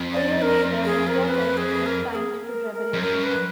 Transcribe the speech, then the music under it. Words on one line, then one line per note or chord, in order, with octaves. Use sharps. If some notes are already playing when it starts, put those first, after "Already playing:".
A year later the quartet was signed to Revelation.
Already playing: F2
D5
A#4
G#4
A#4
B4
G#4
A#4
A#4
G#4
A#4
A#4
F2
F#2 A#4
B4